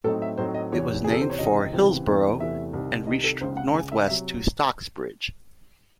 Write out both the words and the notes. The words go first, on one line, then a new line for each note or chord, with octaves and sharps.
It was named for Hillsborough and reached north west to Stocksbridge.
A2 F#3 A3 C4 D#4 A4
E5
A2 F#3 A3 C4 D#4 C5
D#5
E2 C3 E3 C#5
E2 C3 E3 G#4
A4
C5
C#5
C#2 C3 E3 C4 D#5
C#2 C3 E3 C4
E2 C3 E3 A3
E2 C3 E3 A3 E5
C2 C3 D#3
C2 C3 D#3 D#5
A4
C#2 C#3 G#3 C5
F#5
C#2 C#3 G#3 G#5
E5
C3 F#3 E5